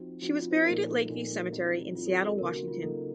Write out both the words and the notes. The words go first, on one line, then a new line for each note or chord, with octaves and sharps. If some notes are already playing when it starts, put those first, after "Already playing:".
She was buried at Lake View Cemetery in Seattle, Washington.
Already playing: F3 C4 D#4 F#4
F3 C4 D#4 F#4
F4
C5
A#2 F3 A#3 D#4 A#4
A4
A#2 F3 A#3 D#4
D#3 F#3 C4 D#4
D#3 F#3 C4 D#4 F4
A4
F#4
A4
C#3 F#3 A#3 D#4 A#4
F#4
F4
C#3 F#3 A#3 D#4 A4